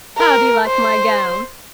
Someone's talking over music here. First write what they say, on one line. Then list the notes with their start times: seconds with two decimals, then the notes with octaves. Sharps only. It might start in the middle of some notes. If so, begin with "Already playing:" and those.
How do you like my gown?
0.18 A#4
0.66 C5